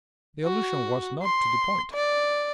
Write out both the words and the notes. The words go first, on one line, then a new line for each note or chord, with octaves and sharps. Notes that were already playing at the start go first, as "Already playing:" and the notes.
The allusion was not to the point.
F#4
C6
D5